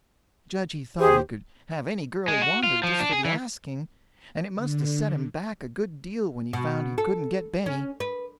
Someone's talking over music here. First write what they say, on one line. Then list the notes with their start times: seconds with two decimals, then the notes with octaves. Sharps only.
I judge he thought he could have any girl he wanted, just for the asking, and it must have set him back a good deal when he found he couldn't get Benny.
1.00 D#2 G4 G#4 C5
2.28 G#3
2.42 F#4
2.63 F4
2.84 F3
3.00 D4
3.12 G#4
3.25 E3
4.56 D3
6.53 B2
6.98 A4
7.66 C#4
8.00 B4